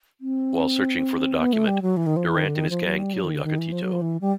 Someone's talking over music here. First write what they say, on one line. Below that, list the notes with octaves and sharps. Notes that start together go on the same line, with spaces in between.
While searching for the document, Durant and his gang kill Yakatito.
C4
B3
A3
G3
F#3
E3
D#3
F3
E3
D#3
D3
D#3
F3
F#3
G3
F#3
D#3
D3
D#3
E3
F3
F#3
F3
E3
G3